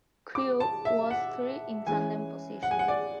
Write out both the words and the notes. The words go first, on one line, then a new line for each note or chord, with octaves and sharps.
Crew was three in tandem position.
D6
A5
E5
F#5
E3 G#3 C#4 G#5
F#5
G#5
F#5
D5